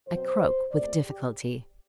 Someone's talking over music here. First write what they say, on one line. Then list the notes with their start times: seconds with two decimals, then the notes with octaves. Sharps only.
I croak with difficulty.
0.08 B2 F#3 C4 C5
0.71 B2 A3 C4 D5
1.03 G4